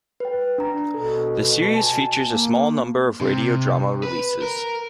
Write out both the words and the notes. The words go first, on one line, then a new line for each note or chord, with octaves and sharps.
The series features a small number of radio drama releases.
B4 G5
D4 A#5
B2 A4
G#5 A5
A#3
C3
B4
A#4